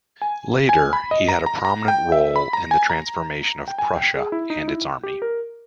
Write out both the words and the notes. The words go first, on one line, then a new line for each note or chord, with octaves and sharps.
Later, he had a prominent role in the transformation of Prussia and its army.
G#5
G#5
B5
D#5
A#5
A#5
A#5
G5
E5
B5
A#5
G#5
A#5
G5
G#5
G5
G#4
E4
D#4
E4
G4
A#4